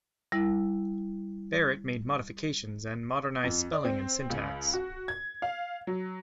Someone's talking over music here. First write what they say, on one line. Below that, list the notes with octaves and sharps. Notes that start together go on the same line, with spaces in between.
Barrett made modifications and modernized spelling and syntax.
G3 E4
F2
D5
C4
C#2
F#4
G#6
F5
F#3